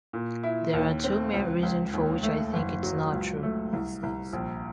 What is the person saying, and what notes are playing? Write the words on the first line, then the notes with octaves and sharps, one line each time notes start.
"There are two main reason for which I think it's not true," he says.
A#2
E4
D#2
C4
C#2
C#2
D#2
A3
F#1
F#3
C#2
A3
C2
C2
A#1